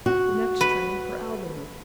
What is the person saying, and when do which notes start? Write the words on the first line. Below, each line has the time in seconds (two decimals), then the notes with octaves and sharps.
"The next train for Albany."
0.06 F#4
0.61 B4